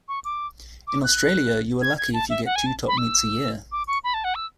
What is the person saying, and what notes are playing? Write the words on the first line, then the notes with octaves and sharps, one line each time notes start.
In Australia you are lucky if you get two top meets a year.
C#6
D6
D6
F#6
G#6
G#6
A5
E5
F#5
G#5
A5
B5
E6
D6
C#6
B5
A5
F#5
E6